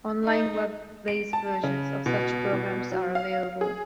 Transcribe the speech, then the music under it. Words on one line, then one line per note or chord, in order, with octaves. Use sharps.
On-line web-based versions of such programs are available.
D#4
D7
A5
C#3
B2
B2
F#3
F5
G#4